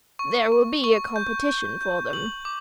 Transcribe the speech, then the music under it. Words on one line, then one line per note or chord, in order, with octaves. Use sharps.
There will be a competition for them.
C#6
C#6
C#6
G6
G6
G6
F#7
D6